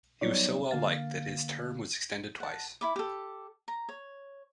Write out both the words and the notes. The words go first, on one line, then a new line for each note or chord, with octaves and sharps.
He was so well-liked that his term was extended twice.
F#3 G3 B3 D#4 C#5 D5
D3 A#3 F5 A6
F#5 A5
E4 B5 D6
G4 A4
A#5
C#5